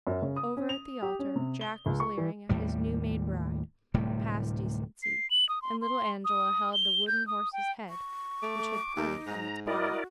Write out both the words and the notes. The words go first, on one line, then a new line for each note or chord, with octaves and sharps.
Over at the altar Jack was leering at his new-made bride, past decency; and little Angela held the wooden horse's head, which had parted from its body.
F#2
C#3
D#6
C#4
F7
G4
C#4
C3
G7
C#2
C#6
E3
D#2 A2 G3
D1 A2 C3 G3
C7
F#7
D#6
C6
C6
D#6
G7
G6
D#6
G5
C#6
A3 D6
D#2 D#4
G#2 A#5
E4 F#4 A#4 D5 D#5